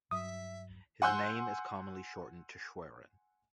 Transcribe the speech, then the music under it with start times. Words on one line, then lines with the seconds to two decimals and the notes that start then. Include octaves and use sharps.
His name is commonly shortened to Schwerin.
0.11 G2 F#3 E5 D#6
1.02 F#5 G#5 C6 E6 F#6 G6